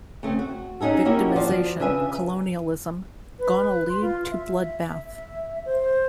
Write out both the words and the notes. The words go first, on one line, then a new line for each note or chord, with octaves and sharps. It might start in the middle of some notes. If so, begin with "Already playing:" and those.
Victimization, colonialism, gonna lead to bloodbath'.
C#3 A3 C4
F#4
F#3 C#4 D#4 G#4 A4
A#3 C#4 D#4 E4 F#4 G4
F3 F#4 C5 D5
C#3 D4 B4 E5 G#5
B4
C6
F4
E5
C5